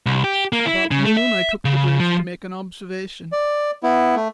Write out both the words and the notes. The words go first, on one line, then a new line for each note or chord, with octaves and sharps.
About noon I took the bridge to make an observation.
C2
G4
A#3
E4
C#3
A3
E5
C#3
F3
D5
B3 E4
A3